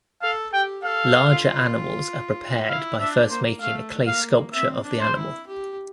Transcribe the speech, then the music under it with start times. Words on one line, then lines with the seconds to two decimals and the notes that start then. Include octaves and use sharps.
Larger animals are prepared by first making a clay sculpture of the animal.
0.22 A4 F5
0.53 G4 G5
0.84 A4 F5
1.30 F4
2.69 E4 F5
3.00 D4 E5
3.30 A#3 C5
3.62 A3 F5
4.08 A#3 F5
4.53 C4 E5
4.84 D4
5.00 C5
5.15 E4
5.47 G4